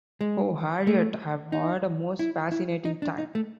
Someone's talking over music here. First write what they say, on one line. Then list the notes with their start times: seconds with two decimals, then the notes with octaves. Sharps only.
Oh, Harriet, I’ve had a most fascinating time.
0.21 G#3
0.87 A3
1.52 D#4
2.19 E4
2.52 E4
2.85 D#4
3.02 D4
3.18 D#4
3.35 A3